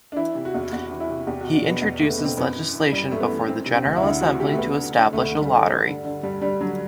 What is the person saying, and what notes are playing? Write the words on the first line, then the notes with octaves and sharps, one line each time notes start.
He introduces legislation before the General Assembly to establish a lottery.
D4
E3 E4
C3
F#4
E2
E2 F#4
E3
E4
C3
E2 G4
B2 F#4
D4
B2 B3
E2
E2 A3
B3
B2
C4
F#2 B3
E3
E3
F#2 G3
F#2 A3
B3
E3
E3 C4
C3
C4
D2
E4
D2 D4
E3 F#4
C3 G4
A3
D2 B3
D3
D3
D2 A3
D2
G3
D3
G2
D3
D3
G2 G3
G2 G3
D3 F#3